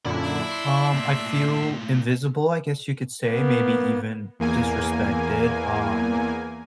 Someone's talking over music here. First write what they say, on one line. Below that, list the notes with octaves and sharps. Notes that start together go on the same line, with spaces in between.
Um, I feel invisible, I guess you could say, maybe even disrespected, um
F#2 A#2 D3 E4 B5
D4 E5
C6
A2 A#3
A#3 B3
E2 A#3 G#5